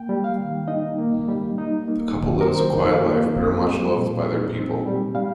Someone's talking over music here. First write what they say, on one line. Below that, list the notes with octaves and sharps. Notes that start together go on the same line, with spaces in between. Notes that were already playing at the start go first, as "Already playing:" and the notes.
The couple lives a "quiet life" but are much loved by their people.
Already playing: A#3 G5
G3
F5
D#3
D#4 D#5
A#3
G3
D#4
A#3
D#3
A#4
D#3 C5
D#4
F5
A#3
C4
G3
A#2
D#4
C4
G3
G3 F5